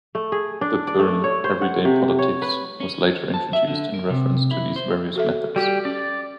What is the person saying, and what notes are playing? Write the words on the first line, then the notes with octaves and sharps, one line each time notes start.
The term "everyday politics" was later introduced in reference to these various methods.
A3
G#4
D4
D5
A3
C#5
C5
F#5
C3
C#5
B4
C#4
A5
E5
D3
A#4
C3
E4
C5
F#4 A4 E5
G3 F#4 G4
C#4 D5